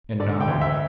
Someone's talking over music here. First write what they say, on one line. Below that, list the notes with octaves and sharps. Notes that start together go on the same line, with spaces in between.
"And now?"
D3 D5
G5
D2
E5